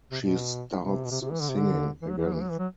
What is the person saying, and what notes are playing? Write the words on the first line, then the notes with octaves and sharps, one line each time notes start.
She starts singing again.
C3
B2
C3
B2
C3
C3
E3
D3
C3
D3
E3
F#3
E3
F#3
E3
F#3
E3
F#3